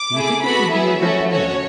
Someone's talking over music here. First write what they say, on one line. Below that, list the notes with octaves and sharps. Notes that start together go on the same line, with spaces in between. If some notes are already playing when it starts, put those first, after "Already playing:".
"Do you think it would be a good plan?"
Already playing: D6
A3 E4 G#4
B3 F#4 A4 B5
B3 E4 G#4 E5
A3 C#4 F#4 A4
C#4 F#4 A4 C#5